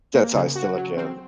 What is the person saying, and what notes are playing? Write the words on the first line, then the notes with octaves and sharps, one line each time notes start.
that's how I still look at it.
A#3
C#3
F#4
F#3
C4